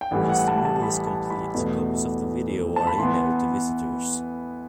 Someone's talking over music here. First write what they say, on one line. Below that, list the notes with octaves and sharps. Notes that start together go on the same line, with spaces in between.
Once the movie is complete, copies of the video are emailed to visitors.
G5
A1 A2 E3 G3 F#5
F#5
A5
A5
B5
A5
B5
E2 B2 A3
A5
B5
E3 B3 C6